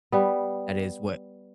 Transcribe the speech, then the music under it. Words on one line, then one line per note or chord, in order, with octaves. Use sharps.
that is what
G3 B3